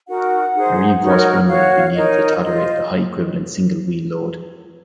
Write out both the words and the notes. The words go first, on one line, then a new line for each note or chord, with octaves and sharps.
A reinforced runway will be needed to tolerate the high equivalent single wheel load.
D#4 F#4 A#4 F#5
D#4 G#4 C5
D#4 F#4 A#4 C#5
F#4 C#5 F5
D#4 A#4 C#5 D#5
F4 C5 D#5